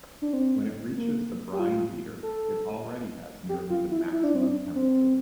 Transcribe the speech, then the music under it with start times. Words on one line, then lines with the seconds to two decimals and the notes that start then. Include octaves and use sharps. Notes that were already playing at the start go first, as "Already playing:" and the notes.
When it reaches the brine heater it already has nearly the maximum temperature.
0.22 D4
0.33 C4
0.97 A#3
1.53 G4
1.59 F4
2.23 A4
3.49 G4
3.70 F4
3.91 E4
4.12 E4
4.24 D4
4.35 C4
4.47 D4
4.75 C4